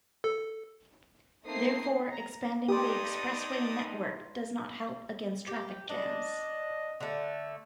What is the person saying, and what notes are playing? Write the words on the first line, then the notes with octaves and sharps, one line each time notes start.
Therefore, expanding the expressway network does not help against traffic jams.
A4
A3 A#3 C4 D#4 D#6 C7
A#5
G2 D#4 G4 B4 D5 C6 D#6
G4
D4 D#5
D3 A3